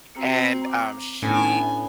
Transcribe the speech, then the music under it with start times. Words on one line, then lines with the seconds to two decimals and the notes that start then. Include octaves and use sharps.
and, um, she
0.15 C4 F#4 A#5 C#7
0.62 A#5 D6
1.22 A2 A3 B3 C#4 D4 G#5